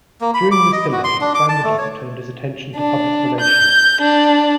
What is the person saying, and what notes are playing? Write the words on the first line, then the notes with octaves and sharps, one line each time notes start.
During this delay, van der Donck turned his attention to public relations.
A#3
B5
D6
D#5
F#4
C6
D4
D6
A5
A3
C#5
D4
G6
D4